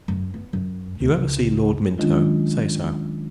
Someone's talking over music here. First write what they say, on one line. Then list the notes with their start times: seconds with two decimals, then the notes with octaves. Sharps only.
If you ever see Lord Minto, say so.
0.08 F#2
0.34 B3
0.53 F#2
1.00 D2
1.13 C#2 C#3
1.98 D#3 F#3 G#3 C#4 D4 F4